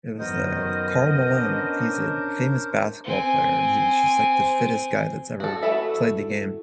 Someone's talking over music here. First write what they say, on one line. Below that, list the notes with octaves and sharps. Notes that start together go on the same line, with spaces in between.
It was the Karl Malone, he's a famous basketball player and he was just like the fittest guy that's ever played the game,
F#2 D#3 B3 A#4 C5 D#5
C#4 D4
C4 G#5
F#4 A4
A3 E4 F#4 E5